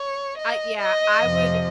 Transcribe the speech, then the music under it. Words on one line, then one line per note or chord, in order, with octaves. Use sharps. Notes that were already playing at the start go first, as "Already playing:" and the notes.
I Yeah, I would
Already playing: C#5
D#5
D#5
F2 C3 F3